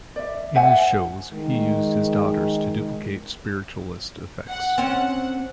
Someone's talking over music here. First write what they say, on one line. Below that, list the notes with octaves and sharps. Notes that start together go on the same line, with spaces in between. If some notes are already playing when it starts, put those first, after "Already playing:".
In his shows, he used his daughters to duplicate spiritualist effects.
D5 E5
C5 E5 F#5 G#5
D#3 G#3
F#5
C4 C#4